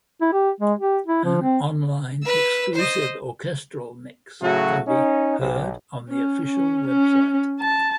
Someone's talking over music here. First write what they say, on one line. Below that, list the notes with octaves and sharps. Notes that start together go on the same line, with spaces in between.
An online exclusive "orchestral" mix can be heard on the Official website.
E4
G4
G#3
G4
E4
F3
C4
B4 E6
C5 D#5
A2 C#3 F#3 A3 F#4
C#4 D#4
B1
C#4
C#4
C#4
A5